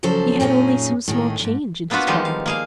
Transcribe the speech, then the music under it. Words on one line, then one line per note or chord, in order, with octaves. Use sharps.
He had only some small change in his fob.
C#3 F3 F#3 A4 C5
F#2 A#2 C#4 D#4 G#4
A2 D#3 G#4
D2 G#2
A#3 B3 D4 F4 F#4 B4
D#3 F3 G3 G#3 D#4 F4
F5
A#3 G#4 F5